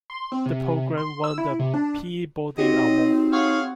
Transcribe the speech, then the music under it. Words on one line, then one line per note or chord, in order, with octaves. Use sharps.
The program won the Peabody Award.
C6
C4
C3
C6
E6
E4
C3
D4
C4 D#4 F#4 G4 C#5 D#5
G#4 C#5 F5 F#5